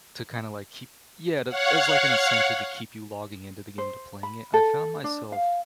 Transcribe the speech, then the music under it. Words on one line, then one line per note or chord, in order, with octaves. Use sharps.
to, kinda, like, keep yeah, to as, like, an incentive to keep you logging into the game to playing it. I've found myself,
C#5 F5 F#5
C5
B5
A4
D4
F5